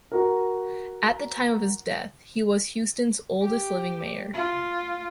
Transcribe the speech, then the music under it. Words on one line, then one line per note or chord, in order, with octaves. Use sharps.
At the time of his death, he was Houston's oldest living mayor.
F#4 A#4
G4
F4